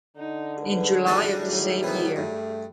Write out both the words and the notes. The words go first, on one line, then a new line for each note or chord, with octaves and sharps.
In July of the same year.
D3 D#4
G#2 G3 G#4 B4
G#2 E3 D4 F#4 D#5
A2 D#3 F#3
C3 E3 B3
G2 A3